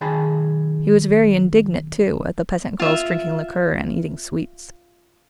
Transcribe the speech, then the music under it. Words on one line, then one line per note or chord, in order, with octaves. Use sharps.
He was very indignant, too, at the peasant girls drinking liqueur, and eating sweets.
B1 D#3 G#4 G5 A5 B5
F4 E5